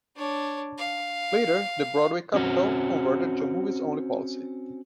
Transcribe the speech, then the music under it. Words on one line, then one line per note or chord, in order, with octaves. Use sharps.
Later the Broadway Capitol converted to a movies-only policy.
D4 C#5
F5
C4 C#4 F#4